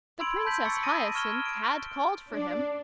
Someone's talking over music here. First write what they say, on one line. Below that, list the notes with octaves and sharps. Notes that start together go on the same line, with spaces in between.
The Princess Hyacinth had called for him.
B5 C6 E6 G#6 D7 F#7
A5 C6 G6 B6 F#7
C#6 E6 A6 C#7
D#6 E6 A6 A#6 D7 D#7
C#6 F6 G#6 E7 G7
D7
D4